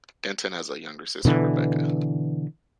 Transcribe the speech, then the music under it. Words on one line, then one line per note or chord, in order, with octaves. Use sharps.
Denton has a younger sister, Rebecca.
B2 D3 E3